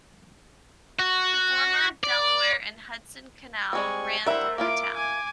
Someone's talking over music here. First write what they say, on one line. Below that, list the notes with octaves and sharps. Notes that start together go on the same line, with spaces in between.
The former Delaware and Hudson Canal ran through the town.
F#4
D5
G3 G#3 C4 G#5 C#6
G3 E4 A#4 C5 E5 F#5
A#3 E4 F4 D6 D7
G#5 D6